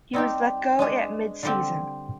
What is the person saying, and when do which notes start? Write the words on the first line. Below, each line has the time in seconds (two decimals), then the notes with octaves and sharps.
He was let go at mid season.
0.13 G3 C4 D#4 G4
0.79 G#3 D4 G#4
1.43 D3 G3 C4 G4